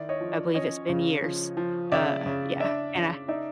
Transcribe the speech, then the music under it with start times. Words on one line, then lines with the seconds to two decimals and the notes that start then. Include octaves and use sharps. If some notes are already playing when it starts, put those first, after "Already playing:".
I believe it's been years. Uh, yeah, and I
Already playing: D#3 E4 D5
0.09 C#5 D#5
0.20 F3
0.32 D5
0.54 C#4 C#5 D#5
0.89 C#3
1.23 F3
1.57 F3
1.92 C#3 D5 E5
2.26 C#3
2.60 D4 D5 E5
2.95 C#3
3.28 D#4 D5 E5